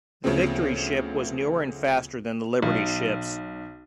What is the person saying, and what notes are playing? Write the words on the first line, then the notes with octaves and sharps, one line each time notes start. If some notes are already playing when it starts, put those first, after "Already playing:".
The Victory ship was newer and faster than the Liberty ships.
D2 C#3 F3 B3 C4
B1